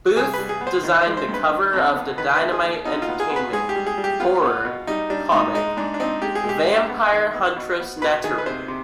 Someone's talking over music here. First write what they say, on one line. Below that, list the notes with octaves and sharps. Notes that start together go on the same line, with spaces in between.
Booth designed the cover of the Dynamite Entertainment horror comic Vampire Huntress Neteru.
C2 G#4
G3 B4
G#4
B3
C5
D#3
C5
G#3
C5
G2
B4
D#3
F2
B3
D#3 B4
D#2 B4
G#4
D#2
B2 D#4
F4
B3
G#4
B3
B4
G#2 G#4
G4
G3
G#4
G3
G4
B3 F4
B3
B2
G3 D#4
G3 D4
G#2 D#4
G#3 D#4
G#2 D4
D4
C4 D#4
G#3 G4
G#4
G#3
G4
D3
B3
D#3
B3
B2
B3
B2 B4
D#3 G#4
B4
C3 C5
C3